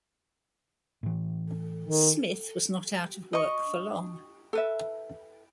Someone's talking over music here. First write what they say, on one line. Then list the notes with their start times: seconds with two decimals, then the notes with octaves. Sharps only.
Smith was not out of work for long.
1.03 A2 E3
1.85 D#3
3.33 D#5 C#6
4.53 A4 B4 E5